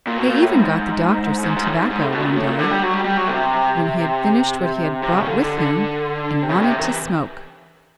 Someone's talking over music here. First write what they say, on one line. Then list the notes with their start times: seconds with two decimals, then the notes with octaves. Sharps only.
They even got the Doctor some tobacco one day, when he had finished what he had brought with him and wanted to smoke.
0.07 A#2
0.18 B2
0.29 A#2
0.42 A2
0.53 G#2
1.44 G#2
1.57 G#2
1.67 A2
1.78 G#2
1.91 G#2
2.02 A2
2.13 B2
2.25 A#2
2.36 A2
2.47 A#2
2.59 D3
2.71 G3
2.83 F#3
2.93 G3
3.05 G3
3.17 F#3
3.28 C3
5.03 C3
5.12 C#3
5.27 D3
5.43 D3
5.58 D3
6.42 C3
6.50 C#3
6.57 B2
6.62 C3
6.79 D#3
6.84 E3